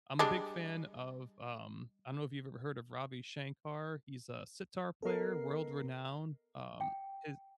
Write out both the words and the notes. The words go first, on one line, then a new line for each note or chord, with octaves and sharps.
I'm a big fan of, um I don't know if you've ever heard of Ravi Shankar. He's a sitar player, world-renowned, um, his
G3 G#3 D4
B3 A4 A#4 D#5 C7
G5